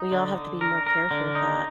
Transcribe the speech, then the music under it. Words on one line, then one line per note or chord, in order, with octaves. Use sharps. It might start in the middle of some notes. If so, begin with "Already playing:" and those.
We all have to be more careful of that.
Already playing: D#4
D3
D3
A#4
A#4
D3
D#4